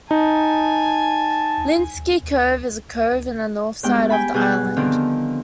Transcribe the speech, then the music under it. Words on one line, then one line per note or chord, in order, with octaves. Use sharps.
Lynsky Cove is a cove in the north side of the island.
D#4 G#5 A5
G2 G#3 B3 G5
G5 G#5 B5
B2 G3 G#4 G#5 F#6 G6
D3 D#3 F3 B3 C4